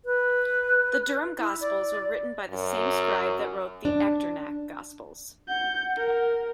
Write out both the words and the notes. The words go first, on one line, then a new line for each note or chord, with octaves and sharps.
The Durham Gospels were written by the same scribe that wrote the Echternach Gospels.
B4
E4
D5
F#2
D4
F#5 G6
A#4